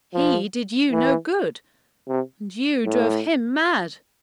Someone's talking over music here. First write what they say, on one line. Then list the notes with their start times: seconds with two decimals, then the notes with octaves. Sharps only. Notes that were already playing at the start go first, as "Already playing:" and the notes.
He did you no good; and you drove him mad.'
0.14 F3
0.91 E3
2.08 C3
2.86 A2